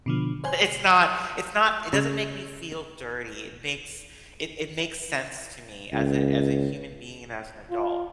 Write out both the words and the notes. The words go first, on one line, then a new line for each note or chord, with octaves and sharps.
It's not it's not it doesn't make me feel dirty, it makes it it makes sense to me as a as a human being and as an adult,
B2 D3 F3
C5 C#5 G#5
C#3
C#2
F4